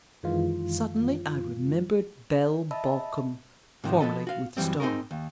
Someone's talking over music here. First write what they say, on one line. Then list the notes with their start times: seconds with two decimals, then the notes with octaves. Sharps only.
Suddenly I remembered Belle Balcom, formerly with the Star.
0.23 F#2 D#3 E3 G#3 F4
2.71 D#5 E5 A5 B5 E6
3.84 G#2 C3 D#3 F3
4.01 F3 B3 A4 D#5
4.27 F#4 F5
4.57 F#2 E3 F#3 G3 C4
4.80 C4 D#4 F4 G#4 A#4
5.11 D#2